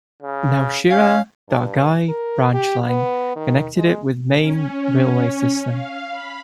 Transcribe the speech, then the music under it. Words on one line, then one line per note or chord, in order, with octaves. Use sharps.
Nowshera-Dargai Branch Line connected it with main railway system.
C#3
C#4 F5
G2
A#4
G4
B3
D#3
G#3
C#4
F5
B5